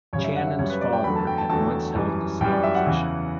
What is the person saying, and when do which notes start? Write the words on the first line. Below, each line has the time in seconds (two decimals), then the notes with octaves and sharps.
Channon's father had once held the same position.
0.13 F#2 C#3 G3 C#5
0.24 E5
0.36 F#5
0.47 E5
0.59 F#2 C#3 G3 C#5
0.70 B4
0.81 D5
0.93 G5
1.04 E2 D3 F#3 A3 B5
1.16 A5
1.27 G5
1.38 A5
1.50 E2 D3 F#3 A3 A5
1.95 F#2 E3 G3
2.41 F#2 E3 G3 G5
2.52 D5
2.63 E5
2.75 F#5
2.86 E2 C#3 E3